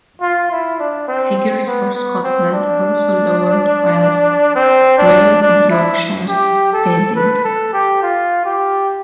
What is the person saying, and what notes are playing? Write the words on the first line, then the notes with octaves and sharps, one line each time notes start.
Figures for Scotland also lowered whilst Wales and Yorkshire steadied.
F4
E4
D4
C4
C4
B3
B3
C4
D4
C4
D4
D4
E4
G4
A4
B4
A4
G4
F4
G4